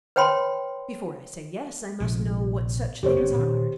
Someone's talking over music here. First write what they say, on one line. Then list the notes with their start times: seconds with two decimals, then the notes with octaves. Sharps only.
"Before I say yes I must know what such things are."
0.16 B4 C#5 G5 B5 C6
2.00 A#1 C3 F3
3.03 F2 C3 E3 G4 C5 C#5
3.16 G1 G#2 C#4
3.34 A#2 D#3